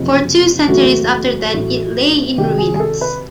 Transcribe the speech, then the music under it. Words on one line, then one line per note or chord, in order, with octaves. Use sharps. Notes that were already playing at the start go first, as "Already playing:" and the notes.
For two centuries after that it lay in ruins.
Already playing: F#1 F2 C3
F#1 E2 B2 F#3 A3 F#4
A1 A2 F#3 A3
C2 C3 D#3 F#3 G4
G#4
G#4
A4
B4